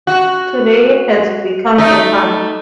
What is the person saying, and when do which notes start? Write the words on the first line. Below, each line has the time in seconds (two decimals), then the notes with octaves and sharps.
Today it has become a farm.
0.07 F#4
1.78 A3 D#4